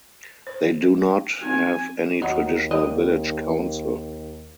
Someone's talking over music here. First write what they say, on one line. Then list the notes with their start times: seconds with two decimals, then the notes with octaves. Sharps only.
They do not have any traditional village council.
0.47 C5
1.41 C4 D#4 F#4 G#5
2.22 D#2 D#3 F#3 D#4
2.71 G3 D#5